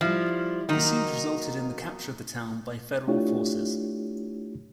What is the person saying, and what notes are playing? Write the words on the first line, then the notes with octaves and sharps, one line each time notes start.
The siege resulted in the capture of the town by Federal forces.
F3 G3 E4
D#3 F#3 A#3 D#4
A3 D4 E4 F4 G4 C#5